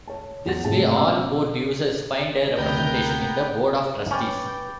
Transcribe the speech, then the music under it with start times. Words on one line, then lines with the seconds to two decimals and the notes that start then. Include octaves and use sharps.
This way all port users find a representation in the Board of Trustees.
0.08 C#5 A5
0.46 E2 F#5 A6
0.65 G#1 A2 C3 A3 G#4 A5
0.97 B2 C#4 D6 E6
2.58 D2 C3 B3 A#4 B4 G5 G6
4.11 C#4 B4 G5 B5 D6 A6